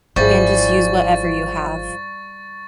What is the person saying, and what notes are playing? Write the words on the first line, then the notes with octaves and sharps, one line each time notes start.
and just use whatever you have.
G#1 F3 G3 E4 G#4 C#6 A6